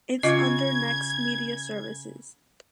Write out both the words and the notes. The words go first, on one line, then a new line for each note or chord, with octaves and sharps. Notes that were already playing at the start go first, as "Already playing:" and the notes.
Its under Next Media Services.
C#3 F4 D#5 G#6